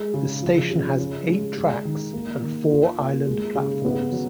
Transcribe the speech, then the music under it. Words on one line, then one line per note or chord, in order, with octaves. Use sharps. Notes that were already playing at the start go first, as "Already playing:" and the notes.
The station has eight tracks and four island platforms.
Already playing: G#3
C#3
F3
C#3
C#4
G#3
G#3
D#3
A#3
D#3
F4
A#3
G#3
C#3
B3
F#3